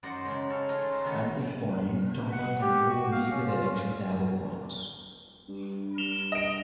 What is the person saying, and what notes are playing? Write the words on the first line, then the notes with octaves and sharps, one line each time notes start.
At that point Tomba can move in either direction the arrow points.
F#2 D#4 F#4 C5 D5 F#5
C#3 G#3
C#4 A4 F5
A3 D#4 F4 G#4
G#3 C5
B2 D3 D#3 F3 A3 B3
F#5
G4
F#4
F5
C#4
F4
C#4
G2
G2 E7 F7 G7
D#5 D7